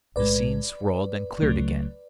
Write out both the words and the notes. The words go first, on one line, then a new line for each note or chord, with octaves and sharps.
The scene swirled and cleared again.
B1 A2 G#3 B4 D5
C#2 C#3 F#3 A3